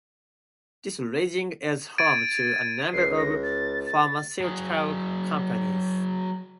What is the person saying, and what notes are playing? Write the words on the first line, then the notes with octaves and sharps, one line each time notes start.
This riding is home to a number of pharmaceutical companies.
G#6 A6 D7 D#7
C#2 C7
A#6
A6
A6
F#3 G#4